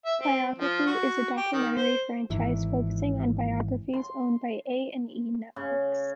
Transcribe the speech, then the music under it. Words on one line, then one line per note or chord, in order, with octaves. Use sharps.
"Biography" is a documentary franchise focusing on biographies owned by A and E Networks.
E5
C4
F3
F#4
G4
D#3
C5
G#1 E3
C6
C#3